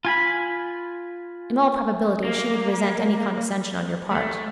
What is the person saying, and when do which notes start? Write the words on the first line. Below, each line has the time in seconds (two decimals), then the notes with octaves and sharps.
In all probability she would resent any condescension on your part.
0.05 F4 G#5 B5
2.24 A#3
4.11 A3